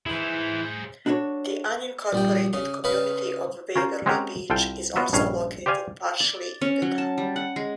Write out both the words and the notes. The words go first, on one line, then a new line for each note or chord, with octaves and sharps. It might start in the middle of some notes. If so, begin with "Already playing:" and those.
The unincorporated community of Waverly Beach is also located partially in the town.
E3 E4 G#4 C5
D4 F#4 A4 B4 C#5
A#1 G3 G5
C#3
C#3 B4 F5 B5 C#6
C#4 F4 A#4 C5
G#3 C4 C#4 F#4 G4 A#4
C2 F4 A4 G5
B3 F4 F#4 D#5 E5
A#1 G2 C#4 F5
G4 C5 D5 F5 G#5
D5
C#4
F#3
A5
G3
F#5
G#3